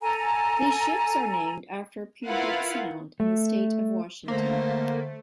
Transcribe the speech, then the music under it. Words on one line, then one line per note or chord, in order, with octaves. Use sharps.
These ships are named after Puget Sound in the state of Washington.
A4 G#5 A#5
E4 F4 A#4 B4 F5 F#5
A3
D3 A3 A#3 C5